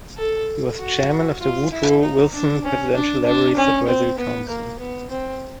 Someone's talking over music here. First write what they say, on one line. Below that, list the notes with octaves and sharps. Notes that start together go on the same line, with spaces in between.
He was Chairman of the Woodrow Wilson Presidential Library's Advisory Council.
A4
F#4
F4
E4
D#4
D4
C#4
D4
D4
C#4
C4
B3
A#3
B3
C4